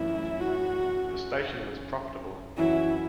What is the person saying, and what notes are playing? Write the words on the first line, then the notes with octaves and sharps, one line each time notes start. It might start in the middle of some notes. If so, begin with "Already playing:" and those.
The station was profitable.
Already playing: F#2 E3 A3 E4
F#4
F#2 E3 C#4 E4 F#4